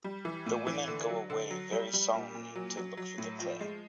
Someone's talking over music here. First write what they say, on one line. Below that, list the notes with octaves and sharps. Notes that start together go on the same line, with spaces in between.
The women go away very solemnly to look for the clay.
G3
E3
A2
E3
D3
F#3
D3
F#3
G3
G3
A#2
A#2
F#3
F#3
F#3
A2
F3
G#3